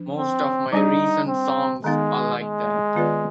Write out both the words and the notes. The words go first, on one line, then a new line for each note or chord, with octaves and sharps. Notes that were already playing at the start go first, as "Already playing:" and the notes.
Most of my recent songs are like that.
Already playing: F3 D4
C4
G3 D4 D#4 G#4
C4
D#3 G#3 B3 D#4
G#3
D#3 B3 F4 B4 D5